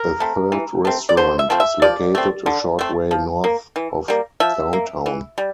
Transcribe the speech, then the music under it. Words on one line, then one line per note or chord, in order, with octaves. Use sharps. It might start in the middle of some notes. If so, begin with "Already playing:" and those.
A third restaurant is located a short way north of downtown.
Already playing: A#4
A3 C4
E3
A3 C4
D5
D3 C5
E5
F3 A3 C4
E5
F3 D5
A3 C4
D3
A3 C4
F3
A#3
E3
G3 A#3
F3 E5
A#3
E3
G3